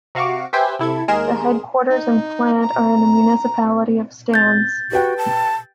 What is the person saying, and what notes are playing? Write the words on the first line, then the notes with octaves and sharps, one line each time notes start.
The headquarters and plant are in the municipality of Stans.
C3 F#4 F5 C#6 D6
G4 B4 C5 E5 G5 G#5
C3 E4 A4 G#6
D#2 G#3 G#4 A#4 C6 E7
D#4
A#5
G6 A6
F#4 G4 B4 G5
A5